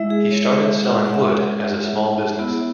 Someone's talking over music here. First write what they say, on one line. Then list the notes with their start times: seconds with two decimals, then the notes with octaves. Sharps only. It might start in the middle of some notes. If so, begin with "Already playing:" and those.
He started selling wood as a small business.
Already playing: G#3 E4 E5
0.10 G#4
0.31 C#5
0.43 C#5
0.53 E5
0.83 F#5
1.06 F#5
1.14 E5
2.39 B3 E4